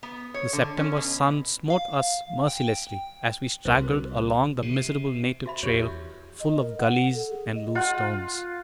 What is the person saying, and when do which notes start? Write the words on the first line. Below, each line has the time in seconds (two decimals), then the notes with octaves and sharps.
The September sun smote us mercilessly as we straggled along the miserable native trail, full of gullies and loose stones.
0.03 B3
0.34 C#5
0.53 D3
0.77 C#4
0.97 B2
1.70 F5
2.48 G5
3.65 C2 F#4 A#4 C5
4.62 C3
5.46 F#4 E5 B5
5.63 E2 G4 C#5
6.40 D#5
6.60 A#4
6.78 F#5
7.14 A4
7.30 G#4
7.55 D#5
7.75 F4 F#5